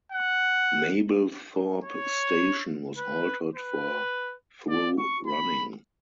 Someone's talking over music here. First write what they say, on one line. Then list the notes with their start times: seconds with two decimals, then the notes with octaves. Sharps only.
Mablethorpe station was altered for through running.
0.12 F#5
1.84 C#5
2.98 B4
3.55 B4
4.69 D5
4.98 C#6
5.26 B5